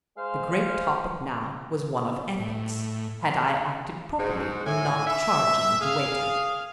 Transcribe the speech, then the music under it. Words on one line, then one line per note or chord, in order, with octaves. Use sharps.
The great topic now was one of ethics: Had I acted properly in not charging the waiter?
G#3 C5 F5
A2
G#2 F#4
A2 G#5
E5
G#4 F5